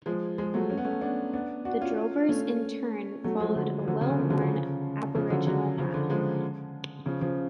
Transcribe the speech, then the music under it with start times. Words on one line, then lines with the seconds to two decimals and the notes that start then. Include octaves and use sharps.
The drovers in turn followed a well-worn Aboriginal path.
0.06 F3 G#3
0.38 F3 G#3
0.54 F#3 A3
0.70 C#4
0.77 B3
0.85 A3 C#4
1.01 B3 D4
1.33 B3 D4
1.65 D4 F#4
1.81 C#4 F4
2.29 A3 C#4
3.24 F#3 A3
3.40 F3 G#3
3.56 D3 F#3
3.84 F3
3.88 D3 F#3
4.01 C#3
4.10 D3
4.20 C#3 F3
4.30 D3 F#3
4.41 C#3 F3
5.15 C#3 F3
5.30 D3 F#3
5.47 D3 F#3
5.78 C#3 F3
5.94 D3
6.10 F3 G#3
7.06 C#3 F3
7.21 C#3 F3